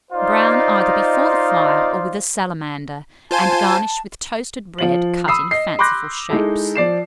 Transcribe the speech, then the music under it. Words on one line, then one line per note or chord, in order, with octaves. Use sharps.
Brown either before the fire or with a salamander, and garnish with toasted bread cut in fanciful shapes.
D#4 F4 C5 D5 D#5 F5
F4 C5 G#5 A5
F3 F4 F#7
B5 D#6 E6 C7
D#5 C7
B5 C6 D6 F#6 G6 A#6
G#3 D#4 E4 A4
F3 D5 C7 E7